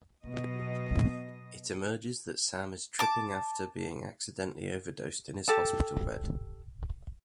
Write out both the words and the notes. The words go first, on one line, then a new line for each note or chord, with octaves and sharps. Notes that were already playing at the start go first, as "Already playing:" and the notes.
It emerges that Sam is tripping after being accidentally overdosed in his hospital bed.
B2 F#3 D#5
A5 D6
G4 A4 A5